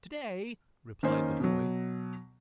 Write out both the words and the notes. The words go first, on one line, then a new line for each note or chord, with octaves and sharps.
"To-day!" replied the boy.
D#3 A#3 C#4 D#4 C5
B2 F#3